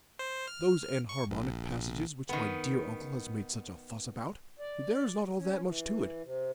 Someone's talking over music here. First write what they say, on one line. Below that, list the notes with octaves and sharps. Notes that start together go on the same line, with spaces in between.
Those enharmonic passages which my dear uncle has made such a fuss about, there's not all that much to it.
C5
F6
C#6
A#1
D#3 B3
D5
C#4
E3
C3